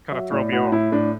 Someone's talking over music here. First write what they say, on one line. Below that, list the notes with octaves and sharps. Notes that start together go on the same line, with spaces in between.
kinda throw me off.
F#3 E5
A2 D5
A2 F#4
A2 E4
A2 D4